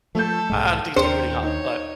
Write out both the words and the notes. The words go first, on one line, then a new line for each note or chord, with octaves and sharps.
I I don't think it's gonna really help. But
F3 A3 A4 G6
B1 G#2 G#3
D#2 D4 A#4 C5 G5 C#7
D#4 C#5